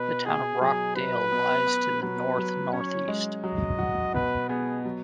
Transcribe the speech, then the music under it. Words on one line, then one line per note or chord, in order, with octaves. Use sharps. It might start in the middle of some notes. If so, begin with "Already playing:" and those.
The town of Rochdale lies to the north-northeast.
Already playing: B2 B4
B2 G#4
F#3 G#4
F#3 B4
B3
B3
F#3 B4
F#3
C#4 C#5
G#3
F#3 D#5
F#4
B2 B4
B3 G#4
F#3